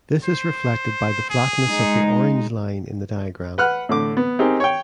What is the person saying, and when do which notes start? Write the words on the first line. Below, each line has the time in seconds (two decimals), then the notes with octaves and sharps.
This is reflected by the flatness of the orange line in the diagram.
0.24 C5
1.30 G#4
1.67 G#3 D#4
3.58 B4 F#5 F6 F#6
3.89 A2 D3 D6
4.17 B3
4.39 C4 D#4 G4 G#4 A#4
4.60 C#5 G5